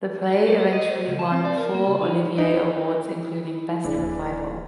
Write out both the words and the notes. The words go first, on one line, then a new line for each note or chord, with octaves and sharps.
The play eventually won four Olivier Awards including Best Revival.
G4
F#4
D#5
C5
C#2
A5
C4
D5
A#4
A#3
C#2
D#4
D#4 E4
D#1 G#1 E3 D4 G#4